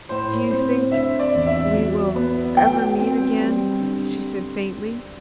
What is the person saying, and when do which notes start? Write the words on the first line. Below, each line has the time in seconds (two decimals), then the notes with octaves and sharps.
"Do you think--we will--ever meet again?" she said faintly.
0.09 A2 C5
0.50 C4 C5
0.92 D3 E5
1.19 D5
1.34 E2
1.46 E5
1.74 F#3
2.16 B3
2.57 F#3 G5
2.99 C4
3.40 G3
3.80 D3